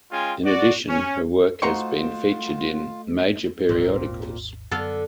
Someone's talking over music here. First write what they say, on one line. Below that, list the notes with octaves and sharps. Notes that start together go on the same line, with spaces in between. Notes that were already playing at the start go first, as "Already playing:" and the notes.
In addition her work has been featured in major periodicals.
G#3 C#4 F4 G5 G#5
F#4 D5
C#4
A3 D#4 F4 F#4 C5 A#5 C6 C#6
G#1 D#2 A#2 C4
F#2 D3 B3 A4 F5